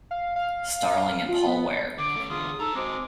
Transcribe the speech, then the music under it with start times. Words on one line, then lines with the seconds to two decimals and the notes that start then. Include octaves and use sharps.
Starling and Paul Ware.
0.11 F5
0.36 F5
1.29 F4
1.46 B3
1.98 D3 D6
2.16 A3 C#4
2.30 E2 D3 F4 G#4 D#6
2.60 C3 D#4 A4 A#5
2.75 G#3 C4 F#4 C5 D6